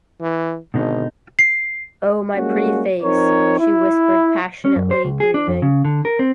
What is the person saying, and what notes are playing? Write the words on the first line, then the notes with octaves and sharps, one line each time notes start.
"Oh, my pretty face," she whispered, passionately grieving.
E3
G#1 B2 D3 D#4
C7
G3 G#3 A#3 C#4 F#4
F3 C4 D#4 A#4 C#5
E4
C#4
F#2
C5
C#2
G#4
D4
F2
C#3
D3
A#4
C4